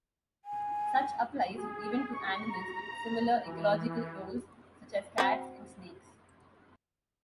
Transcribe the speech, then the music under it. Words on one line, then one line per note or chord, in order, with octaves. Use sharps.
Such applies even to animals with similar ecological roles such as cats and snakes.
G#5
G#4
C#6
A#5
E3
C4 F#4